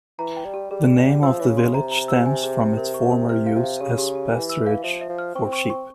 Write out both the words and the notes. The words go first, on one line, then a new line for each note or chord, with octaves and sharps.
The name of the village stems from its former use as pasturage for sheep.
E3 A#5
G5
G3
G4
G3 G#4
G#4
G#4
F3 E6
E3 C#5
C#3
C6
C3 A#5
A#5
E6
G#5
G#4
E5
A#4
C#6
A#4
C3 F6
F5
C3
F5
C#3 G4
G4
G4
E3 G#5
E6
F5
F3 E5
E5
F3
F6
C4 C#6
C#6
C#6